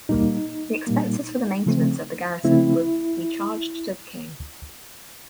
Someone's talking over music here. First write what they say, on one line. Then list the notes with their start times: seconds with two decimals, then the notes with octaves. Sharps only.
The expenses for the maintenance of the garrison were be charged to the King.
0.09 A#2 G3 A#3 D#4
0.87 A#2 G3 A#3
1.66 C#3 F3 A3 C4
2.44 C#3 F3 A3 C4 E4